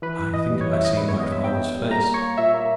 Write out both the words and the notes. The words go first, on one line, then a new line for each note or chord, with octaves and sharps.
I think I see my father's face!
E3 B4
E3 B4
E3 D#5
G3
E3 C#5
E5
E3 D#5
G3 B4
B3 C#5
D#5
G3 E5
B3 G5
B3
G3
A#3 A#5
A#3
C#5
A#3
A#2 E5
A#3